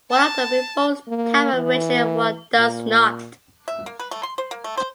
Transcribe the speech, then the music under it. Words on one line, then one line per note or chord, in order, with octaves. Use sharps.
One of them involves time-averaging, and one does not.
A5
A#3
E3
A#2
E5
A#3
B4
A3
C6
C5
A#3
A3
C5